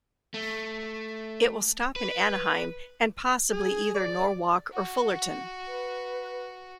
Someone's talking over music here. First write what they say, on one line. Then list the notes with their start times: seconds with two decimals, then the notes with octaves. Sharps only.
It will stop in Anaheim and possibly either Norwalk or Fullerton.
0.34 A3
1.96 B4
3.53 G#4
3.95 D5
4.73 F#4 F#5
5.67 B4